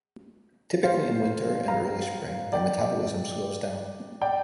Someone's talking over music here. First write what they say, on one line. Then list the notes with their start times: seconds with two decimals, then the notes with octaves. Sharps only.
Typically in winter and early spring their metabolism slows down.
0.84 C5 F5
1.68 F5 A#5
2.53 D5 G5
4.21 D5 G5